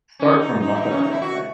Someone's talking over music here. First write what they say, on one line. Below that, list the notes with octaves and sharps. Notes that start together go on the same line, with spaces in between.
start from nothing, I don't think.
C#4
D#4
D#4
E4
D#4
C#4
D#4
E4
F#4